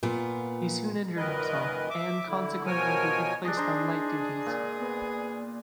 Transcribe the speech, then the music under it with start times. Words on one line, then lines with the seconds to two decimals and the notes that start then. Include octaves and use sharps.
He soon injured himself and consequently would be placed on light duties.
0.03 A#2 B3 F4
1.17 F#2 A#2 D#3 A#4 B4 D#5
1.90 E5 D6
2.27 D3 E4
2.66 B2 F3 A#4 C#5 G#5
3.45 G3 D4 G#4 D#5
3.57 D4 C5 A#5
4.46 A#2
4.79 B3